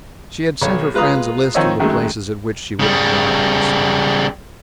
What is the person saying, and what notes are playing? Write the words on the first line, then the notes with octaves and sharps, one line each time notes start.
She had sent her friends a list of the places at which she would be likely to stop.
B1 C#5
G#3 F4 B4 F5 A#5 D#6
D#3 F3 C4 C#5 D#5 E6
F#2 D#3 F#3 G#3 A3
C#3 G3